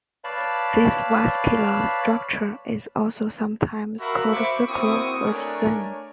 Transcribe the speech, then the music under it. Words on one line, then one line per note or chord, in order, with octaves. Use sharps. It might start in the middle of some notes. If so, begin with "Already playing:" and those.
This vascular structure is also sometimes called "circle of Zinn".
B4 C#5 D5 F5 A5 B5
F#4 A#4 E5 F5 B5
C5 E5 B5 C#6 D6
A#3 C4 E4 F#4 C#6 D#6
A3 D4 A#4 C#5 D5 G#5